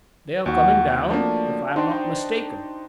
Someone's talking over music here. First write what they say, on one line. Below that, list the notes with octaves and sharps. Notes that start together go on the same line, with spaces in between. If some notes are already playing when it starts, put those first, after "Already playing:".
"They are coming down, if I am not mistaken."
D#2 F#4 E5
F3 A3 A#3 D4
D4 D#4 C5 G5